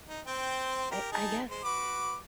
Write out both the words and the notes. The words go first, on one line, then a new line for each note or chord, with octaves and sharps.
I I guess,
D#4
C4 C5 G5
G4 A#4
D#4 G#4 A5
G#3 C5
F#4 B4 D6